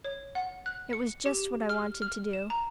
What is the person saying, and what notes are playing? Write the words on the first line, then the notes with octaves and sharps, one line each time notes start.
It was just what I wanted to do.
C#5
F#5
F#6
C#7
G4
F6
F6
E7
A#5